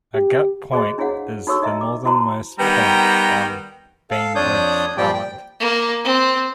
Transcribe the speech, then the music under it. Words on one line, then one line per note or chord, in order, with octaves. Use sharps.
Agate Point is the northernmost point on Bainbridge Island.
G4
F#4 G#4 C5 D#5
D4 E4 G#4 C#5 F5 F#5
D#4 F#4 A4 C#5 C#6 E6
D#4 D#5 E5 A#5
D6
E4 F#4 C5 A5 A#5 C6
D#3 G3 B3 F#5 G5 A#5
A4 F5
F2 D4 C#5 D5 D#6 G6
A#2 F3 G3 G4 D5 G5
G5
A#3
C4